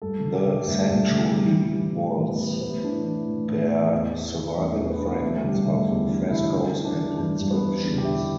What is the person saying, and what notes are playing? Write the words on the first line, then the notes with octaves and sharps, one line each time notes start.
The sanctuary walls bear surviving fragments of frescoes and inscriptions.
G2 A4
D3
G4
D3
G2 A3
G2
A3
D3
A2 G3
E3
G3
E3
A2
A2
B3
E3
A2 B3
E3 D4
E3
A2
A2
E3
E2
E3
E3
E2 A3
E2
B3
D4
E3 B3
E2 A3
D3 G3
D3 A3
E2
E2 D4
D3 E4
G2 D4
E3
D4
E3
G2 D4
G2
B3
E3
E2 D4
G4
D3 E4